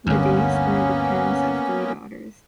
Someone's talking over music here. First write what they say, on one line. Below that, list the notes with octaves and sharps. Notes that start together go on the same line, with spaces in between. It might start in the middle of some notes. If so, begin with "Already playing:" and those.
The Days were the parents of three daughters.
G1 D2 A#3 B3 C#4